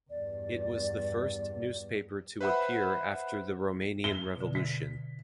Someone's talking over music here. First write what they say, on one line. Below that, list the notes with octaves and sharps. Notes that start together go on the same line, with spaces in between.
It was the first newspaper to appear after the Romanian Revolution.
E2 G2 D5
B4 C5 E5 F#5 B5
G7
B2 D3
B6